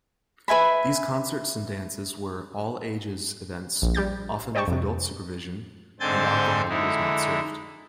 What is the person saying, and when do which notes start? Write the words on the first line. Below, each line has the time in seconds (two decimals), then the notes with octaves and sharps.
These concerts and dances were 'all-ages' events-often with adult supervision-and alcohol was not served.
0.48 B4 E5 G#5 B5
3.82 A#1
3.95 G3 G4 G6 A6
4.55 C5 D5 D#5 G5 A5 C#6
4.68 F2 C3
6.00 G#2 D3 C4 G#5 G6 A6
6.69 D3 G#3 D#4 E4